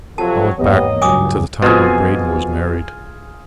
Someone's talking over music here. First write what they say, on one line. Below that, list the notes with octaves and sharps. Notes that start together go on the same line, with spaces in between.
I went back--to the time when Braden was married.
C3 F3 F#3 A4 A5
E2 G#2 A#3 B3 G4 C#5 D#5
C#2 G2 F#3 G#5 D6 D#6
F2 B2 F4 G#4 G#5